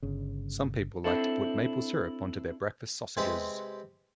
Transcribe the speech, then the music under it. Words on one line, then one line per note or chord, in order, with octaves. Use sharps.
Some people like to put maple syrup onto their breakfast sausages.
G1 C#3
C4 D4 E4 A4
C3 G#3 C4 G4 B4